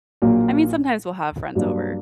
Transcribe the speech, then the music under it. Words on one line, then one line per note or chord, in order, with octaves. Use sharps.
I mean, sometimes we'll have friends over
A#1 A#2 F#3 A#3
G2 F#3 A#3 D4